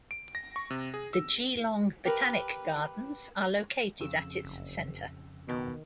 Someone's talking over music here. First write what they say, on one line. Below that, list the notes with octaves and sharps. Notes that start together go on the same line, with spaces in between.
The Geelong Botanic Gardens are located at its centre.
D7
A#6
C#6
C3
G#4
E6
G4 A#4 B4
F2 C#3 E6
F#1
B2 D#3